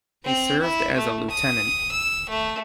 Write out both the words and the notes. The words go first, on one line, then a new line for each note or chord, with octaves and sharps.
He served as a lieutenant.
C4
E4
A3
D#6
E6
A3